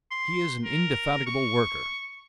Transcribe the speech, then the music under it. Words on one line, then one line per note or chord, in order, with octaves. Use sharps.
He is an indefatigable worker.
C6
A#4
C#6